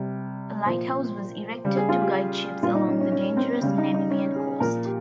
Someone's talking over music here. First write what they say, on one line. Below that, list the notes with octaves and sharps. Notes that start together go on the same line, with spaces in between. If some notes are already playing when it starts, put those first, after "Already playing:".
A lighthouse was erected to guide ships along the dangerous Namibian coast.
Already playing: C3 G3
A#2 F3 C5
C#3 G3
G#4
F4
G4
A#2 G3 F4
D#4
C#4
C#4
C#4
C4
C#3 G3 C#4
D#4
D#4
C#4
G#4
A#2 F3 A#4
G4